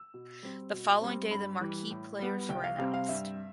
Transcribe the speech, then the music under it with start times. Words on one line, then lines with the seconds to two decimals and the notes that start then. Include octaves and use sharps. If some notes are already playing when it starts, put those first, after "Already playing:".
The following day the marquee players were announced.
Already playing: E6
0.14 B2
0.43 G3 C4
0.73 B2
1.01 G3 C4
1.31 G2 B5
1.61 E3 G3
1.90 A2
2.19 G3 B3
2.49 C2 G5
2.64 F5
2.78 C3 G3 C4 F5
2.94 F5
3.09 G2 E5